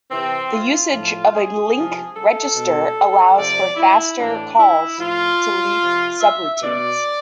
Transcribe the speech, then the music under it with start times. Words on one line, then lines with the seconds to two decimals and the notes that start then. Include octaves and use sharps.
The usage of a link register allows for faster calls to leaf subroutines.
0.10 C3 E3 C4
0.52 F4
0.92 A2 F3
1.32 G#4
1.73 C3 F3
2.14 A4
2.55 B2
3.36 C3 F3 D5
3.76 E4
4.17 A2 E3 D4
4.58 E4
4.99 A2 F3 F4
5.81 C3 F3
6.21 E5
6.61 B2 D5